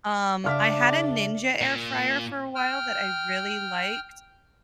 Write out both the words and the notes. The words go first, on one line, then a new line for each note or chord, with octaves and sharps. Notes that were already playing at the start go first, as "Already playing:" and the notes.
Um, I had a Ninja air fryer for a while that I really liked.
C#3 D4 E5 F5 F6 B6
A#2
G5 F6